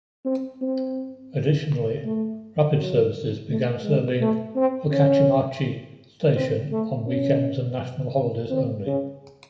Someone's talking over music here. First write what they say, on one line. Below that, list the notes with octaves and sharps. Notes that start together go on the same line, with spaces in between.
Additionally, rapid services began serving Okachimachi Station on weekends and national holidays only.
C4
C4
A3
F#3
A3
G#3
A3
C4
C#4
C4
A3
C#4
C4
C#3